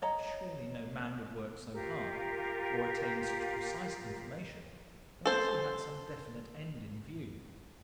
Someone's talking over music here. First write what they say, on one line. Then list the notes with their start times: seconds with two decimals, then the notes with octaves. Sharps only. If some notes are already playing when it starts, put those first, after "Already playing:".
Surely no man would work so hard or attain such precise information unless he had some definite end in view.
0.02 C#5 D#5 A#5
1.73 F4 G4 A#4
5.25 A4 C5